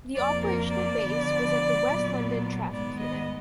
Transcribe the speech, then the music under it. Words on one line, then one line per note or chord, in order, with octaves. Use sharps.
The operational base was at the West London Traffic Unit.
F2 F3 A#3 D5
A#4
D5
D3 F3 B3
A#2 F#3 B3
G#2 D#3 G#3 B3 D5
D#5